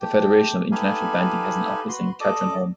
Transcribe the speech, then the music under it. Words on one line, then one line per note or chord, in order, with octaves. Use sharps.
The Federation of International Bandy has an office in Katrineholm.
A3 G4 G5
D#4 G4 A4 B4 F5 G#5
F#4 B4 C6
A4 D5 D#5 D6